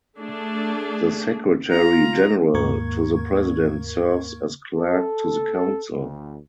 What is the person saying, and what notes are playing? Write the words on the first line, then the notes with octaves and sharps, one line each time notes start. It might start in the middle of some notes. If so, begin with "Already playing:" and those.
The Secretary-General to the President serves as clerk to the Council.
A3 D4 G#4
F4 A#5
D#2 G#2 A#3 A#4 C#6 G#6
A4
D2